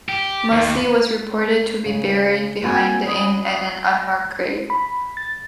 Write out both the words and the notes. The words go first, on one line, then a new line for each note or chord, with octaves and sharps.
Mussey was reported to be buried behind the Inn in an unmarked grave.
G4
D#2
C#3
A#3 C4 F4 F#4 F#5 G#5
F#3 C#4 G#4 B5 D#6
G#5
B5
A6